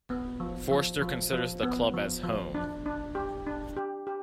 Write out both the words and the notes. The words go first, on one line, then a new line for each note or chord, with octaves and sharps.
Forster considers the club as "home".
B3
F3
F3
F3
F3
B3
F3
F3
D4
D4
G4
D4
G4
G4